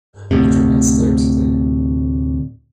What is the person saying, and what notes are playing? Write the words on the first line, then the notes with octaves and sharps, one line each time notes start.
It remains there today.
D2 A2 C3